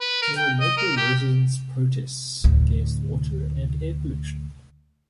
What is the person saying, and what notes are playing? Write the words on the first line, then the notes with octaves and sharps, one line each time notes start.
There were local residents' protests against water and air pollution.
B4
A#4
G5
D#5
A#4
G4
D2 A2